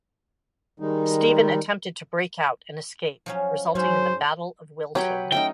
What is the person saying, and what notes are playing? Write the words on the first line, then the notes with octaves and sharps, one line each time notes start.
Stephen attempted to break out and escape, resulting in the Battle of Wilton.
D#3 G3 G#3 D#4
F3 F#3 C#4
G#2 F#3 C#4 C5
F#3 G4 B4 C#5 G5
A3 C#4 D#4 G5